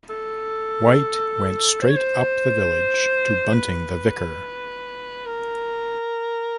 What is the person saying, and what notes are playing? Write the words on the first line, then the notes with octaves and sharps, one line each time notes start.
White went straight up the village to Bunting the vicar.
A4
C5
C#5
C5
B4
A#4